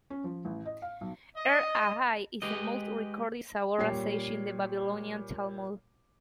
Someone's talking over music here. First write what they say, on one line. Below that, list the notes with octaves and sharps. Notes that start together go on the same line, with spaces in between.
R. Ahai is the most recorded Savora sage in the Babylonian Talmud.
C#4
F3
A1
D#5
F5
B1
D#5
G#3 G4 B4 D#5
A#2 G3 G4 C#5 G5 C7